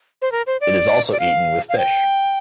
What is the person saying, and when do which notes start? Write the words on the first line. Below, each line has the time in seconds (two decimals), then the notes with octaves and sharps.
It is also eaten with fish.
0.22 C5
0.32 A#4
0.47 C5
0.61 D5
1.12 D5
1.20 F5
1.69 F5
1.78 G5